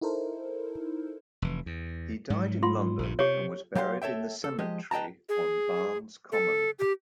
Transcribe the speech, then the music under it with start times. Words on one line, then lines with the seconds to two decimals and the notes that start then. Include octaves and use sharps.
He died in London, and was buried in the cemetery on Barnes Common.
0.01 D#4 E4 A4 A#4 C5
1.42 F1 E3
1.66 E2
2.30 G#2 F#3
2.63 F4 C6
2.99 A#1 G2
3.19 C3 G4 C#5
3.75 F#3 G4 F5 A5 C6
4.02 A4 C#5 E5 G5
4.44 A4
4.59 F3 G#3 G4 D#5
4.91 B4 D#5 G5 A5 A#5
5.29 G#4
6.32 A4
6.79 G4